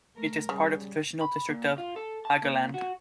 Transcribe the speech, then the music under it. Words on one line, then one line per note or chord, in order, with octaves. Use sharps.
It is part of the traditional district of Haugaland.
A3 A#4
C#3 G3
B5
A#2
F4
A4
A5
A#2
F#4